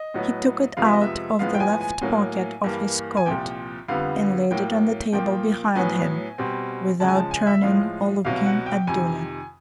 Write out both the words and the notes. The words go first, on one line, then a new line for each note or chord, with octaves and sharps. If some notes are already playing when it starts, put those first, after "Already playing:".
He took it out of the left pocket of his coat and laid it on the table behind him, without turning or looking at Dounia.
Already playing: D#5
A2 F#3 B3
F2 C3 F3 G#3 B3 F5
E5
D#5
E5
A2 F3 G#3 B3 F5
G5
G#5
G#5
A2 F#3 A#3
G2 E3 G3 A#3
G#5
C2 A#2 F3 G5
F2 D3 G3 B3 F5
A2 F#3 A#3 G5
A#2 F3 A#3 G5
A2 F#3 B3 G#5
B2 G3 C4
C#2 C#3 F3 G#3 A5
G#5
A5
G#5
E5
A2 F3 G#3 F5
C2 B2 F#3 F5
F#5
G5
F2 C3 D#3 G#5